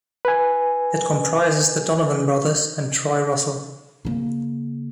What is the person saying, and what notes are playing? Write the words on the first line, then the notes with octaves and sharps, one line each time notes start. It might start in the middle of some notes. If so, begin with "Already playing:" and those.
It comprises the Donovan brothers and Troy Russell.
B4 G#5
C#3 A#3